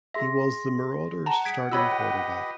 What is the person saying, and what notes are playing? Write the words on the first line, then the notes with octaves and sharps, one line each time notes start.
He was the Marauders starting quarterback.
G#4 E5 C6 A#6
F#5 A5 A#5
G#4 G#6 B6 D7
F4 G4 B4 C#5 D#5 B5 E6